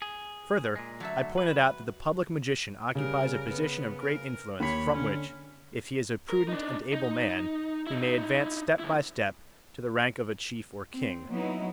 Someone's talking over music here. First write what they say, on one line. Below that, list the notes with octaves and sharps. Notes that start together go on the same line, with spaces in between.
Further, I pointed out that the public magician occupies a position of great influence, from which, if he is a prudent and able man, he may advance step by step to the rank of a chief or king.
G#4
A#2 G#3
D3 F#3 A3 E5
B4
C#3 G3 A#4
B3
A#4
D#2 C#5 B5 B6
D3 C#4
A#4
D4 D#4
D#4
D#4 E4
F#2 E4
C4
F#3 B3 D#4 E4